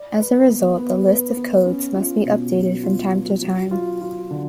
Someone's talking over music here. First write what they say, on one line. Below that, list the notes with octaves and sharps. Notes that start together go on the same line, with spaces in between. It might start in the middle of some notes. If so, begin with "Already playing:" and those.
As a result, the list of codes must be updated from time to time.
Already playing: D5
B4
B3
B3
B4
B3
C#4
F4
B2
F#3
F4
F#3
F#3
F4
F4
D3